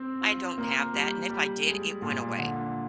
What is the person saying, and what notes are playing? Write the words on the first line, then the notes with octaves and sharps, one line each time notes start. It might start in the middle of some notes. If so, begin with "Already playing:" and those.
I don't have that, and if I did, it went away.
Already playing: C4
F4
A#3
G3
G3
G#3
A#2
D3